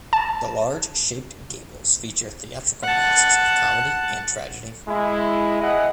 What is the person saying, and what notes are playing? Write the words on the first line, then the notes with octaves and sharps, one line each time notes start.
The large shaped gables feature theatrical masks of comedy and tragedy.
A5
F#5 A5
G#3 E4
E4 G#4 D#5 F#5